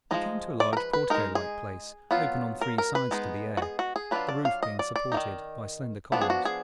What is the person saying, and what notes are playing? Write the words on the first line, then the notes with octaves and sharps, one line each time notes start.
We came to a large portico-like place open on three sides to the air, the roof being supported by slender columns.
F3 G#3 D#4 D#5
D5
A#4
B4
B4
G#3 D#4 A#4
G#4
F#3 B3 F4
A#4
A#4
B4
G#3 B3 D#4
F#4
G#4
F#4
G#4
F#3 D4 F4 B4
D5
F5
D#5
D5
D5
A#3 D#4
D#3
F3 B3 D4
G#4
F#4
G#4